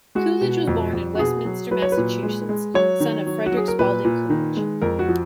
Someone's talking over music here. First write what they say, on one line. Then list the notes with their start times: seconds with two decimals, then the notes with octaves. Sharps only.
Coolidge was born in Westminster, Massachusetts, son of Frederick Spaulding Coolidge.
0.15 G#3 F#4
0.41 B2
0.68 F2
0.93 F2
1.15 F#4
1.19 B2 G#4
1.45 F#3
1.71 F#3 B4
1.82 C#5
1.92 B4
1.97 A#2
2.23 G#3
2.49 G#3
2.74 F#3 C#5
3.00 D#3
3.26 F#3
3.46 F#4
3.52 F#3 G#4
3.68 A#4
3.79 A#2 B4
4.05 A#2
4.30 D#3
4.57 G#3
4.82 F2 A#4
4.99 F#4
5.08 F3